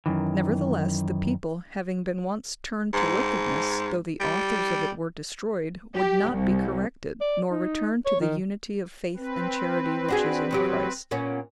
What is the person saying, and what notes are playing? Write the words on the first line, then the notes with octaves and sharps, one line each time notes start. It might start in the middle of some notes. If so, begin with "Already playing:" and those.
Nevertheless, the people, having been once turned to wickedness, though the authors of it were destroyed, would not be corrected, nor return to the unity of faith and charity which is in Christ.
F#2 D#3 E3
G#2
G3
G4
C2
D5
D#4
C#5
D#3
C4 B4
D4 F#4 G#4
E2 F#3 G4
A#2 B3 C#4